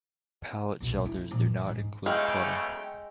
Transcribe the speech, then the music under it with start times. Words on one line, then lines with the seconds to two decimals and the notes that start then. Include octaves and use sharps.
Pallet shelters do not include plumbing.
0.80 B1 B2
0.93 D2 B2
1.06 E4
1.31 A#2 F3
1.46 E3
1.69 G#2
2.06 B1 C#3 G#3 A3 F5 G5